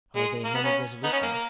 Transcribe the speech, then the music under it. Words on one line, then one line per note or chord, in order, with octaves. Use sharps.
"Are they men of resolution?"
G#3
A#3
B3
C#4
B3 D#4
C#4
A#3
A#3